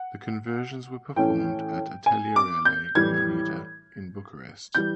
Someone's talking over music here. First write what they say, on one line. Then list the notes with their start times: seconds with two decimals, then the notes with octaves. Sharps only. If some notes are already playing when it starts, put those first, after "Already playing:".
The conversions were performed at Atelierele Leonida in Bucharest.
Already playing: F#5
1.16 A2 E3 A3 C#4 G5
2.06 G#5
2.36 D6
2.65 G6
2.95 A2 E3 G3 G#6
4.75 E3 G3 G6